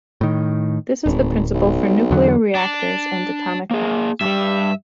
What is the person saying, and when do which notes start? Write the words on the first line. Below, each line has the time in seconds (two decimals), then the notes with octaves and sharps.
This is the principle for nuclear reactors and atomic bombs.
0.21 A2 D#3
1.06 D1 G#1
1.54 B1
2.11 E2 D3 F#3
2.55 D4
3.71 A#3 G#4
4.21 G2 G3 E5